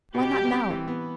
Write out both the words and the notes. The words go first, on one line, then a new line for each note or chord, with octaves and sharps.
Why not now?
B2 G4
G3
C4
E3
B3